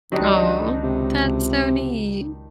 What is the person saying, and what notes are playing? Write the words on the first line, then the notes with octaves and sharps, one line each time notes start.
Aw. That's so neat.
C#2 D#3 F#3 G3 D4 D#4
C3